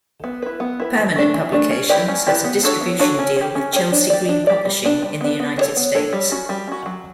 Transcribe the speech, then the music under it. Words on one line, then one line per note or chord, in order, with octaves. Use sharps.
Permanent Publications has a distribution deal with Chelsea Green Publishing in the United States.
B3
E4 B4
B3
E4 B4
E3
A3 D4
E3
A3 D4
C#4
E4 G4 B4 D5
C#4
E4 G4 B4 D5
B3
D4 F#4 A4 C#5
B3
D4 F#4 A4 C#5
C#4
G4 C#5
C#4
G4 C#5
D4
G4 D5
D4
G4 D5
G3
B3 D4
G3
B3 D4
B3
D4 A4 C#5
B3
D4 A4 C#5
G3
C#4 F#4
G3
C#4 F#4
F#3